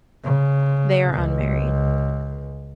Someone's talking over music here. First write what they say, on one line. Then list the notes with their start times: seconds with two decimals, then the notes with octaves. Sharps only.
They are unmarried.
0.25 C#3
1.14 C#2